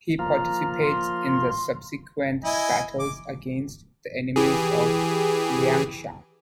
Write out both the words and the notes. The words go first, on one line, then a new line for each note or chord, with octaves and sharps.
He participates in the subsequent battles against the enemies of Liangshan.
F3 A#3 F4 A#5
C6
E4 D#5 G#5
D6
E3 G4 G#4